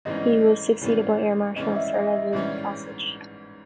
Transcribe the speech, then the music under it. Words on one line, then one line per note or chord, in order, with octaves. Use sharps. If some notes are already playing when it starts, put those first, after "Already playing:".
He was succeeded by Air Marshal Sir Leslie Gossage.
G#1 G#2 E3 G3 C#4 D#5
G#1 G#2 E3 G3 C#4
G#1 G#2 E3 G3 C#4 D#5
E5
D#5
E5
G#1 G#2 E3 G3 C#4